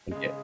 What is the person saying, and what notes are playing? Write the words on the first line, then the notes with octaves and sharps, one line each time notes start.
And get
C#3 G#3